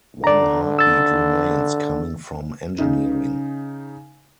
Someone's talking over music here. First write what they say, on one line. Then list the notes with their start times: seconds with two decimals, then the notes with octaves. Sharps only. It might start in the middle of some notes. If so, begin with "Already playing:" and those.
One heartbeat remains, coming from Engineering.
0.24 D3 D5 A#5
0.79 E6 A6
2.78 C#3 D#4